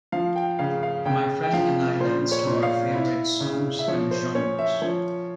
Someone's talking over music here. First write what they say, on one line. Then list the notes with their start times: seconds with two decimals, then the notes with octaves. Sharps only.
My friend and I danced to our favourite songs and genres.
0.12 F3 F5
0.36 G5
0.59 C#3 F5
0.83 F5
1.05 C#3 G5
1.43 G5
1.53 F3 F5
2.00 A#2 C5
2.32 C#5
2.47 A#2
2.63 F5
2.94 E4
3.41 C#3
3.79 E5
3.88 F3 C#5
4.11 C5
4.35 C#4 C#5
4.58 E5
4.82 F3 C#5